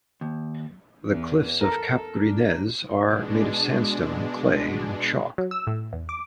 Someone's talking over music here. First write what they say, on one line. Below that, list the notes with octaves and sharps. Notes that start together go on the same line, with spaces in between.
The cliffs of Cap Gris Nez are made of sandstone, clay and chalk.
D#2
E2 B3
A4 A#4 A#5
D4
B2 G#3 D4
F#3
E6
A2
E2
D6